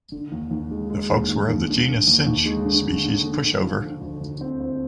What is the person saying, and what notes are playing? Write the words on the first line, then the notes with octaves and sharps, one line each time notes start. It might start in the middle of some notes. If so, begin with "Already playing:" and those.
The folks were of the genus cinch, species pushover.
D3
D#2
D#2
G#3
G#3
D#2
D#2
D#2
D3
D3
D#2
D#2
G#3
D3
D3
D3
D3
D3
F3
D3
D2
D2
C4
C4